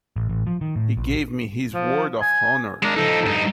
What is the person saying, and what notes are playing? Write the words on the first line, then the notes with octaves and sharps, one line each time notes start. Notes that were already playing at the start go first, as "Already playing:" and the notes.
He gave me his word of honor.
A1
A1
F3
D#3
A2
A#1
F3
G#5
G#3 D4 A#4
F3 D#4 A4
G2 D#4